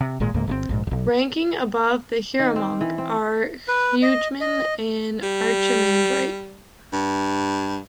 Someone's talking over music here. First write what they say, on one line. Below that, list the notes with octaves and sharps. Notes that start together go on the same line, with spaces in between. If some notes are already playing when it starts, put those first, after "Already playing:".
Ranking above a hieromonk are a hegumen and an archimandrite.
C3
G#1 A#2 G#3
C#2 G#2 A#3
G1 C3 C4
A#1 G#2
D1 B1
D#3
C4
E3
C4
B4
D#5
D#5
G3
G2